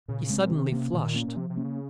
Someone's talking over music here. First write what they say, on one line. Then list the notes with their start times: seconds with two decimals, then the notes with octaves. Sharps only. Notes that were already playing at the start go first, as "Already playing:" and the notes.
He suddenly flushed.
0.08 A#2 C#3
0.30 G#3 C4
0.39 A#2
0.50 C3 D#3
0.72 A#3 C#4
0.93 A#2 D#3
1.15 A#3 C#4
1.28 A#2
1.36 C3 F3
1.50 C3
1.57 A#3 C#4
1.64 C#3